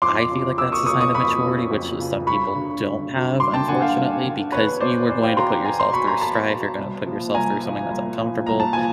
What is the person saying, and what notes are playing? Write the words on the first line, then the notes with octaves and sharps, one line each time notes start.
I feel like that's a sign of maturity, which just some people don't have unfortunately, because you are going to put yourself through strife, you're gonna put yourself through something that's uncomfortable,
F2 C6 D6
C#3 F#3
F2 D6 E6
C#6 D#6
C#3 F#3 C#6 D#6
C#6 D#6
F2 B5 C#6
C#3 F#3
F2
C#3 F#3
G2 B5 C#6
D3 F#3
G2
D3 F#3
G2 C6 D6
G5 A5
D3 F#3 F#5 G#5
F5 G5
G2
D3 F#3
E2 B4 C#5
B2 F#3 C5 D5
E2 C5 D5
F5 G5
B2 F#3 A#5 C6
E2 G#5 A#5
A#5 C6
B2 F#3 B5 C#6
A#5 C6
E2 A5 B5
B2 F#3
C2
A#2 F3
C2 G#5 A#5
A#2 F3
C2
A#2 F3
C2 A#5
A5
A#2 F3 G#5